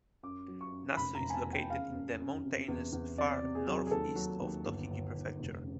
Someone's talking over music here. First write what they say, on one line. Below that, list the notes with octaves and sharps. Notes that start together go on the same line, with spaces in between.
Nasu is located in the mountainous far northeast of Tochigi Prefecture.
F#2 D6
F#3
C#6
F#2
F1 B5
A#5
F1
G#5
A5
E2
G5
C#3 F5
F#2
F#2
C3
E2
E2
C3 D5
C3
G#4
F#3
G#4
D#2 A4
F#3
D#2
G1
G1
G1
F1
C#3